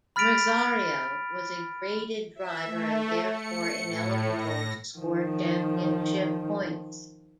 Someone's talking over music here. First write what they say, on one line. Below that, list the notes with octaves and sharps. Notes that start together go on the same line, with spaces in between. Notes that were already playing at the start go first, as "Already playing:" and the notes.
Merzario was a graded driver and therefore ineligible to score championship points.
B5 F6 A6 B6 D7 F7
E5
A3
C#7
A2
A#6
D#3 F3